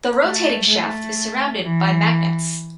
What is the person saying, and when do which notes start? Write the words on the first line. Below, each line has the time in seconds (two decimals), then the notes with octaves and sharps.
The rotating shaft is surrounded by magnets.
0.20 A3
0.68 A3
1.63 E3